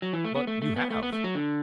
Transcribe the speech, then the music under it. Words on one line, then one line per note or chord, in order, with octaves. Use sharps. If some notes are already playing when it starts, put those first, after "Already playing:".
"But you have."
F#3
E3
A3
B3
A3
A3
B3
A3
B3
A3
F#3
D3